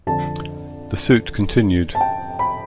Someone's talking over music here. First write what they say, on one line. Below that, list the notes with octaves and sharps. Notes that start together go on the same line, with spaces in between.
The suit continued.
F2 D3 F3 A5
A5
G5
B5